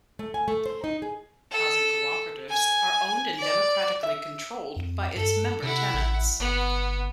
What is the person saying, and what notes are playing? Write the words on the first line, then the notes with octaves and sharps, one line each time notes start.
Housing co-operatives are owned and democratically controlled by its member-tenants.
A3
G#5
A3
C5
D#4
G#4
A4
G#5
D5
E5
F2
G2 A4
C3 E4 F#5
A1
G1 B3